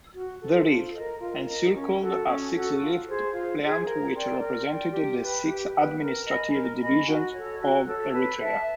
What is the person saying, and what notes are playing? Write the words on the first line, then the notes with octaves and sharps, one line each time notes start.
The wreath encircled a six-leafed plant which represented the six administrative divisions of Eritrea.
F#4
A4 C5
F4
A#4 D#5
F4
A#4 D#5
C#4
F#4 A4
C#4
F#4 A4
F4
G#4 C5
F4
G#4 C5
A#4
D5 G5 C6
A#4
D5 G5 C6
G4
B4 E5 G5
G4
B4 E5 G5
A#4
D#5 G#5 B5
A#4
D#5 G#5 B5
F#4
A4 C#5
F#4
A4 C#5
B4
E5 A5